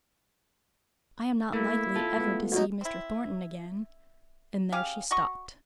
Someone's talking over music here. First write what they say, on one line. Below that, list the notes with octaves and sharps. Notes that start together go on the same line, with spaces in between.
'I am not likely ever to see Mr. Thornton again,'--and there she stopped.
A3 A#3 E4
F4 A4
G#3 A3 B3
B1 D#4
C4 E4
C#4 G4 G#4 F5
F#4 D#5 C#6